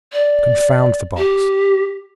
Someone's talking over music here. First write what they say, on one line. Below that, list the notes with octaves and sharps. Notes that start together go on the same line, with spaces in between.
Confound the box!
D5
G4